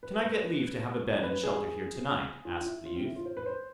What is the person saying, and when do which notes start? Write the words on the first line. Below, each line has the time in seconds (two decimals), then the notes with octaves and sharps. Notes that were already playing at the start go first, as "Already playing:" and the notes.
'Can I get leave to have a bed and shelter here to-night?' asked the youth.
0.03 B4
0.23 B4
1.23 B4
1.43 G#4
2.45 F4
2.61 F4
2.65 E4
2.86 F4
2.95 C4
3.05 E4
3.16 F4
3.25 C5
3.37 B4
3.46 C5